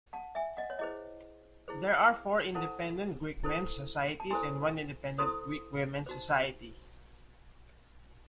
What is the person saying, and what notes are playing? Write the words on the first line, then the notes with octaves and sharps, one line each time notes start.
There are four independent Greek Mens "Societies" and one independent Greek Women's "Society".
F#5 A5
E5 G#5
D#5 F#5
C#5
E4 G#4 C5 D#5
E4 G#4 C5
E4 A4 C5 F#5 A5
E4 A4 C5
A5
E4 A4 C5 G#5 C6
E4 A4 C5 C6 D#6
D#4 F#4 C5